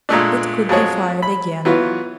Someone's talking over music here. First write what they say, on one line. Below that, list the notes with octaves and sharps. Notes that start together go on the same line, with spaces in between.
It could be fired again.
A#2 G#3 A3 D4
F2 F#3 G#3 C#5
B5
E3 F#3 B3 F4